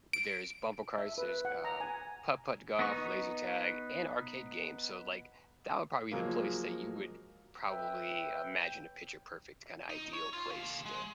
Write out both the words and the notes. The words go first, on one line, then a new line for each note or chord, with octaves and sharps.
w there's bumper cars, there's, um, putt-putt golf, laser tag, and arcade games, so, like, that would, probably, be the place that you would, probably, imagine a picture perfect, kinda, ideal place to s
D7
E5
B4
F#5
A#5
G#5
B3 D#4 C#6
F3 F#3 G#3 A#3
B4 C#5 E5 G5
D#4
C#5
F4
D#2 F5
G#3